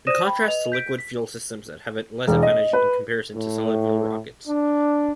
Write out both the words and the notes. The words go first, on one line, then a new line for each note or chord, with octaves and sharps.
In contrast to liquid-fuel systems that have less advantage in comparison to solid-fuel rockets.
C5 D5 D#6 A#6 D#7 E7
G5 B5
B4 D#5 F7
G6 B6 D7
B6
E1
D#5
B4
A2
D4